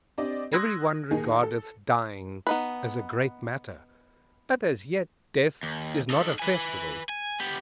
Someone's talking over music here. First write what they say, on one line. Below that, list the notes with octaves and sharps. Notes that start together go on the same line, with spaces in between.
Every one regardeth dying as a great matter: but as yet death is not a festival.
C4 D4 G4 D5 D#5
C6 D#6 E6 F#6 G#6 A#6
D#2 D#3 D#4 G#4
A4
B3 D#4 B4
D#2
D#4 A4
B4 G#5
G#5
B3 G4